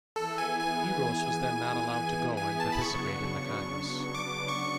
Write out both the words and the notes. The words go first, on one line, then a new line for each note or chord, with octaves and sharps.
Eros was then not allowed to go and participate in the congress.
E3 B3 E4 G#4 A4
G#5
G#5
G#5
A5
B5
C#3 F#3 B3 D4 C#6
D6
C#6